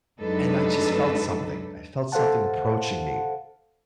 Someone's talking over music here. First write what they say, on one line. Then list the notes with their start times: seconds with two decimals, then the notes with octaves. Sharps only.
and I just felt something I felt something approaching me.
0.20 F#2 G#3 D4 D#4 A4 B4
2.12 A4 C5 F5 F#5 A5